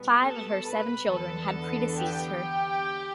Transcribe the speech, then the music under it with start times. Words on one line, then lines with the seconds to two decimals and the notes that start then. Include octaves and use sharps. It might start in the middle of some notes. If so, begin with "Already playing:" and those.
Five of her seven children had predeceased her.
Already playing: B2 G3 B3
0.22 A4 A5
0.66 B4 B5
1.09 E2 D3 B3 A4 A5
1.98 G4 G5